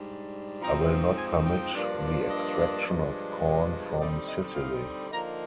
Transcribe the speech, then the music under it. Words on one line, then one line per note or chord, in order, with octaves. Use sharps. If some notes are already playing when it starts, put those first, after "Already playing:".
I will not permit the extraction of corn from Sicily.
Already playing: G#2 G3 D4
G#2 F3 C4 D#4 A#5
G#5
G5
G2 F3 A#3 D4
D#5
G2 F3 G#3 D4
D3 G3 C4 D#4 D5
D#5
F5
D3 F3 A#3 D#4 A#5